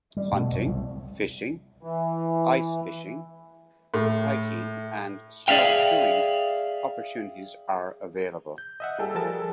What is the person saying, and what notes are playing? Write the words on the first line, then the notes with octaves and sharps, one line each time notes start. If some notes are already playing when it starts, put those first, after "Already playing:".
Hunting, fishing, ice fishing, hiking and snowshoeing opportunities are available.
G3
B2 A3
F1 F#3
C2
E3
A2
G#4 D5 E5 F5 G5
G6
D#5 E5 F#5
G3 G#4 A4
F3 A#4 A5